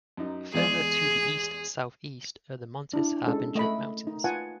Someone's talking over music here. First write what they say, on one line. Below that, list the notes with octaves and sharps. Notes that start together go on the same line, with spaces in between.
Further to the east-southeast are the Montes Harbinger mountains.
F#2 D#4
E2 G#3 G#4 D5
D4 E4
G#3 C#4 A4
A3 D#5 B5
D#4
F4 B4 F#5 G#5 A5